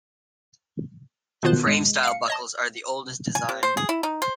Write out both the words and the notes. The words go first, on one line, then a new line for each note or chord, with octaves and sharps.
Frame-style buckles are the oldest design.
B2 D#3 B3 F4 C5 F#6
G#2 G#3
F5 C#7
C#5 D#5 A5
G#5
C3
C5
G#4
E4
D#4
C5